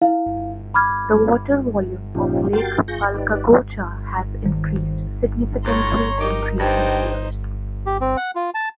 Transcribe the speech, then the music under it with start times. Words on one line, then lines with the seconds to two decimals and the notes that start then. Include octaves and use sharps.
The water volume of Lake Palcacocha has increased significantly in recent years.
0.01 E4 F5
0.74 B5 D6 F6 G#6
2.15 A#2 F3 C#4 D#4 F4 G4
2.53 F#4 G4 A#4 G5 C6 A6
2.88 F4 G#4 C#6 G6 A#6
3.14 D#4 G4 B4 D5
4.45 D#3
5.66 A2 C#5 A#5 C6
6.20 D#4 G4 A#4
6.59 G2 D#4 C5 G5
7.86 G4
8.01 C4
8.17 F#5
8.35 F4
8.54 A5